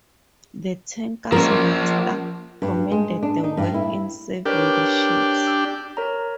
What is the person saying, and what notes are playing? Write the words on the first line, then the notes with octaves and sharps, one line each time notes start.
The tanker's master commended the work in saving the ship.
F3 A#3 C#4 A#4
G2
G#3
D4
D#4
G2
E4
D4 G4 A#4 B4 C#5
E6
A#4 C#5 A#5